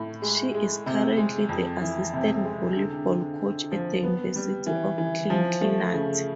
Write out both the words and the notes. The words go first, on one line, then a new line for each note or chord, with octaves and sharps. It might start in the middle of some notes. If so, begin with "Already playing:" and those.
She is currently the assistant volleyball coach at the University of Cincinnati.
Already playing: A2
G#3
G#3
C3
G#3
F2
E3
C3
G#3
D3
D3
D3
F3
B3
G3
E3
E3
F3
A3
C#3